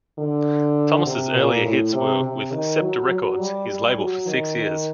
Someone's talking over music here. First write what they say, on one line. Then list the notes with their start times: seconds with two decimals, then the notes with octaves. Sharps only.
Thomas's earlier hits were with Scepter Records, his label for six years.
0.19 D3
1.06 C3
1.36 A#2
1.65 A2
1.94 C3
2.23 C3
2.52 D#3
2.82 F#3
3.11 F#3
3.40 G3
3.69 G3
3.99 F#3
4.28 D#3
4.57 D#3